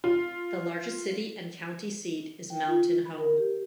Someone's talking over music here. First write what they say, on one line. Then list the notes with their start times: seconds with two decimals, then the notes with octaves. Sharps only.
The largest city and county seat is Mountain Home.
0.04 F4
2.50 G5
2.68 F4
3.05 B5
3.18 A#4
3.38 G4